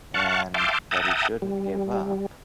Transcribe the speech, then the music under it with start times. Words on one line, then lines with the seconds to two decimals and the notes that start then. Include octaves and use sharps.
And that he shouldn't give up,
0.14 F5 F#5 A5 C#6
0.54 E5 F5 G5 A5 C6 D6
0.91 E5 F#5 G5 A5 A#5 D#6
1.42 G3